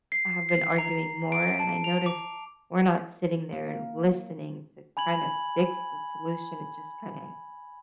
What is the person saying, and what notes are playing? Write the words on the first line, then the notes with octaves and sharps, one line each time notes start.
have been arguing more and I noticed, we're not sitting there and listening to kind of fix the solution, it just kind of
C7
C7
A#5
D7
A5
F7
D6
A#3
G#5 B5 G#6 F#7